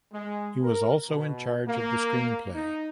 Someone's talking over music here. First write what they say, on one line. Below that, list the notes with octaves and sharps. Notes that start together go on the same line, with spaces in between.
He was also in charge of the screenplay.
G#3
A#4
B2
A#3
D#4